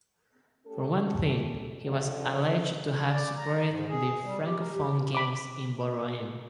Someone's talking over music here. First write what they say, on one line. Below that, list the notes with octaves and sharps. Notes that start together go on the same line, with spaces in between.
For one thing, he was alleged to have supported the Francophone gangs in Voeren.
A3 C#4 G4 A4
F2 D3
D5
A#5
G#2
G#4
G3
G4
A#4
G4
B5 D6